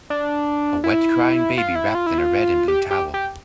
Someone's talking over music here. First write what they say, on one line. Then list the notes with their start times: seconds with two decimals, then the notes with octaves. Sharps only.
A wet crying baby wrapped in a red and blue towel.
0.10 D4
0.84 E4
1.58 F4
1.75 E4
1.95 F4
2.06 E4
2.18 F4
2.68 G4
2.91 G4
3.14 G4